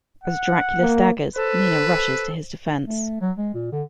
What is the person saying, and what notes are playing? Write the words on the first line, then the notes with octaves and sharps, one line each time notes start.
As Dracula staggers, Mina rushes to his defense.
F#5
A#3
A4 B4 C5
A3
F#3
G#3
A#2
D3